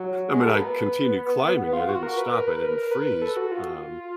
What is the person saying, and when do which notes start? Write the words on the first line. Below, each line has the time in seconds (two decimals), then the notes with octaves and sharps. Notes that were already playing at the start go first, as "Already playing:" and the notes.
I mean, I continue climbing, I didn't stop, I didn't freeze, um,
Already playing: F#3
0.34 G#3
0.41 A3
0.48 A#3
0.55 B3
1.73 F4
1.89 F#4
2.03 A#4
2.18 B4
2.33 A#4
2.48 B4
2.62 A#4
2.78 A#4
2.91 B4
3.07 B4
3.22 A4
3.37 F#4
3.51 F4